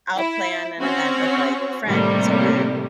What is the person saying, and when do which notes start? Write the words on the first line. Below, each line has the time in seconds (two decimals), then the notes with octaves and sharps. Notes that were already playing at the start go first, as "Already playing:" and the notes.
I'll plan an event with, like, friends or
0.17 E4
0.79 C4 C#4 F#4 C#5
1.86 A2 C3 D#3 G3 A3 A#3